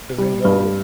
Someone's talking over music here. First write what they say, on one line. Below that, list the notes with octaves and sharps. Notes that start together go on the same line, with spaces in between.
'cause it can go
G3
G2